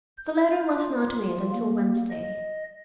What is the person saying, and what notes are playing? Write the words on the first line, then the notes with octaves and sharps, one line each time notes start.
The letter was not mailed until Wednesday.
G6
F4
A#3
D#5